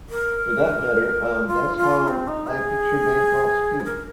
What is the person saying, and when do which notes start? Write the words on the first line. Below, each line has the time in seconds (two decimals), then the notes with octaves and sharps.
For that matter, that’s how I picture bank vaults too.
0.09 A#4
1.47 F4
1.77 F4
2.08 C4
2.28 D#4
2.47 G#4
3.80 C5
3.85 A#4